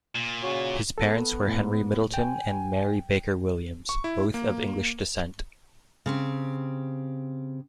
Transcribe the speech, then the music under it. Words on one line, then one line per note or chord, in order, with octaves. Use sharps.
His parents were Henry Middleton and Mary Baker Williams, both of English descent.
A#2
C#3 F#4 C#5
B3 A4
A2
G5 G#5
C#6
E4
A#3
C#3 C4 G4